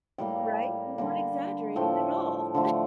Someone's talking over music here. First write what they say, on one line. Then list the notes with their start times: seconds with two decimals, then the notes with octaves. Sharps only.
Right? You weren't exaggerating at all.
0.18 A2 G3 A#3 G5
0.98 D3 G3 A#3
1.76 A2 F3 A3 G5
2.54 D3 F3 A3